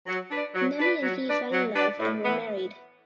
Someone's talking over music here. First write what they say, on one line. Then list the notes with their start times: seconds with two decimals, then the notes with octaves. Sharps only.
Nemi and he fell in love and were married.
0.06 F#3
0.31 D4 B4 D5
0.55 F#3
0.79 D4 B4 D5
1.03 F#3
1.27 D4 B4 D5
1.51 F#3
1.75 D4 B4 D5
2.00 A2
2.24 E3 B3